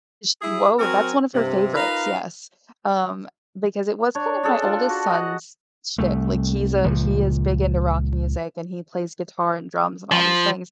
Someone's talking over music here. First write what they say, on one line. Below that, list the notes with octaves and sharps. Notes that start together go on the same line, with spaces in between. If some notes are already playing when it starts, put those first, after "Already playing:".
She Whoa, that's one of her favorites, yes. Um, because it was kind of my oldest son's shtick. Like, he's a he is big into rock music, and he plays guitar and drums and all these things,
E4 G#4
F#3 C4 F#4 A#4 G#5
G2 C3
D#4 F4 A#4 B4 F5
D4 C#5
D4 G#4 A4
D4 F4
F#4
D#5 F#5
C2 A3
C#2 A#2 F3
F3